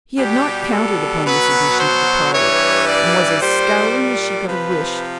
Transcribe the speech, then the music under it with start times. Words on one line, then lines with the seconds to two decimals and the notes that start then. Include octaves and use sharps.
He had not counted upon this addition to the party, and was as scowling as she could have wished.
0.17 B2 G3 G4
0.70 A4
1.24 B2 F#3 B4
1.78 C5
2.32 G2 E3 G3 C#5
2.85 D5
3.39 A#2 G3 C5
4.46 C3 F3 B4